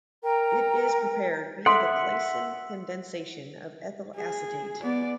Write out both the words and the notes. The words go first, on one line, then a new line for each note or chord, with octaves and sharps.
It is prepared via the Claisen condensation of ethyl acetate.
A#4 G5 A#5
A4 E5 F#5 C6
G#4
B3 D5